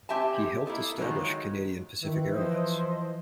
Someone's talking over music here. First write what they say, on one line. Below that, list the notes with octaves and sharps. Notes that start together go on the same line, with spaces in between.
He helped establish Canadian Pacific Air Lines.
C4 G4 E5 G#5 A5
A#3 E4 A4 D#5
D#3 F3 F#3 G#3
D#3 E3
F3 C5 D#5